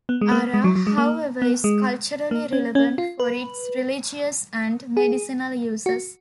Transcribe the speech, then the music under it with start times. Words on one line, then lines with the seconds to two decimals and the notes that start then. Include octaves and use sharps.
Ara, however, is culturally relevant for its religious and medicinal uses.
0.09 B3
0.21 G#3
0.31 A#3
0.54 G#3
0.64 F#3
0.75 F#3
0.87 G#3
0.98 A#3
1.42 B3
1.64 G#3
2.31 A#3
2.53 C#4
2.75 C#4
2.98 F4
3.20 B4
4.97 G#4
5.86 F#4